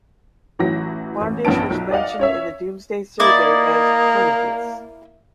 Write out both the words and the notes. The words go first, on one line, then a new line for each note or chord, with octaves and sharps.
Farndish was mentioned in the Domesday Survey as 'Fernadis'.
A1 E3 F#3 F#4 A#6
A1
A#1 G2 B3 C#4 A5 D7
B1
D5 D#5 F5 F#5
C#4 C#5 E5
A#3 E4 D5 D#5